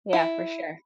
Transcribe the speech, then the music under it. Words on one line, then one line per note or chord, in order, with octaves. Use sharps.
Yeah, for sure.
E4